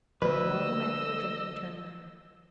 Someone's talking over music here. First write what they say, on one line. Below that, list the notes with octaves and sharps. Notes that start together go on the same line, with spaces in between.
All the men who were drinking turned round.
D2 F3 A3 B4 D#5 E6